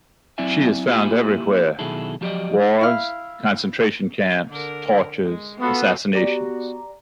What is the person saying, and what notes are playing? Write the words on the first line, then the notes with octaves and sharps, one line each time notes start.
She is found everywhere: wars, concentration camps, tortures, assassinations.
F#3 C4 E4 D5 E5 G#5
A#3 E4 F4 G4 E5 G#5
B2 D#3 F#3 E4 G#4 A4
F3 F#3 G4 C5 D5 D#5
E4 F5
D3 A#4
G#3
B3 F4 F#4 A4
B3 F#4 G4 D5 A#5